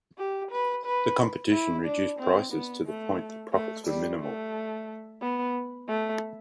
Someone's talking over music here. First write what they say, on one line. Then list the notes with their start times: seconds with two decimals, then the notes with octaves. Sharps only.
The competition reduced prices to the point that profits were minimal.
0.18 G4
0.51 B4
0.86 B4
1.52 E4
1.85 D4
2.19 C4
2.53 B3
2.86 A3
3.53 A3
3.87 G3
4.20 A3
5.21 B3
5.88 A3